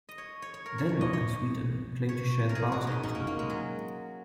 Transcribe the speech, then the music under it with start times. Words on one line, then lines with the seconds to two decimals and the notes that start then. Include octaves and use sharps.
Denmark and Sweden claimed to share the Baltic between them.
0.09 D#5
0.18 C#5
0.42 C#5
0.54 C#5
0.66 A#4
0.78 C#5
0.89 C#5
1.01 D#5
1.13 C#5
2.09 C#5
2.49 A#4
2.55 G#4
2.72 F#4
2.87 D#4
3.03 C#4
3.15 A#3
3.27 A#3
3.39 G#3
3.50 F#3